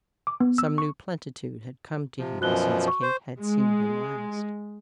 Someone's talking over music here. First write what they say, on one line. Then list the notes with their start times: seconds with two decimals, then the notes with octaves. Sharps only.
Some new plenitude had come to him since Kate had seen him last.
0.27 D6
0.40 B3
0.58 E6
0.78 C#6
2.19 C3 F3
2.41 F#2 B2 F3 F#4 F#6 G7
2.88 C#6
3.02 C5
3.39 G#3